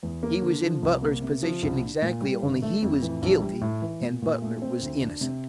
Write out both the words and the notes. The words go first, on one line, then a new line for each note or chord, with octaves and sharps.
He was in Butler's position exactly, only he was guilty and Butler was innocent.
E2
A#3
D3
F3
C2
A#3
C3
F3
C2
D4
A#2
G3
G1
A3
F2
E3
A#1
G3
A2
E3
A#2
A#2
A3
C4
D2
D4
C3